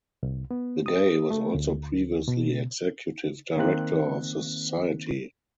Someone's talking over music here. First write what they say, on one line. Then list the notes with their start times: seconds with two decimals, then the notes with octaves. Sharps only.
Begay was also previously executive director of the society.
0.23 C2
0.51 B3
0.86 D#6
1.31 A3
1.55 D2
2.28 B2
3.57 D#3 A#3 C4 F#6